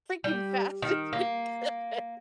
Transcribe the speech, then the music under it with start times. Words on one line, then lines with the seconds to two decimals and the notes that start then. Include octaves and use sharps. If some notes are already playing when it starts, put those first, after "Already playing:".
freaking fast as we could.
0.24 G3
0.82 D#3
1.13 A#3